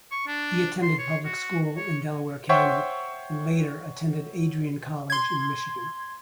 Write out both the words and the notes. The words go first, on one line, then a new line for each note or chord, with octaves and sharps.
He attended public school in Delaware County and later attended Adrian College in Michigan.
C#6
D4
C6
C#5
F#4
C#5
C5 C#5 E5 F#5 G5 C#6
C6 G#6